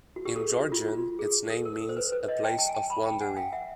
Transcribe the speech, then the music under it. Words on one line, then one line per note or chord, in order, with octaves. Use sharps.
In Georgian, its name means "a place of wandering".
F#4
G4
A4
G#4
F#4
F4
F4
G#4
A4
A#4
A4
C5
B4
B4
C#5 D#5
G5 A5
G5 A5
G#5
G5 A5
A5 B5
G5 A5
F#5 G#5
F5 G5
E5 F#5